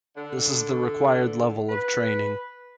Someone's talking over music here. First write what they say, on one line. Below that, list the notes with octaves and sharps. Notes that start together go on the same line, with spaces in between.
This is the required level of training.
D3
B4